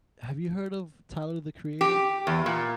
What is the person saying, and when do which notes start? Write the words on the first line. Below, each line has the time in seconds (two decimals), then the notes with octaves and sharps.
Have you heard of Tyler, The Creator?
1.81 G4
2.27 E2
2.46 A#2